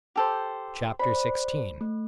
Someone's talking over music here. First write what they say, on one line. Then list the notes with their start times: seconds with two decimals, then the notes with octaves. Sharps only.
Chapter XVI.
0.16 G4 A4 C5
0.99 C5 D5 B5
1.81 A3